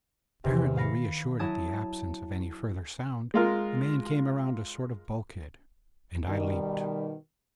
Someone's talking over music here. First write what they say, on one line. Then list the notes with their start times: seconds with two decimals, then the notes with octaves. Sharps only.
Apparently reassured at the absence of any further sound, a man came around a sort of bulkhead--and I leaped.
0.44 E2 C3 D#3
0.77 F5 B5 A#6 C#7
1.39 F#3 E4 A5 D#6 G#6
3.34 G#3 F4 A#4
6.27 B2 D#3 G3